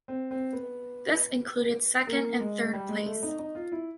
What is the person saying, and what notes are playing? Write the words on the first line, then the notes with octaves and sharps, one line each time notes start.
This included second and third place.
C4
C4
B3
A#3
G#3
G3
G#3
A3
D#4
D#4
F4
E4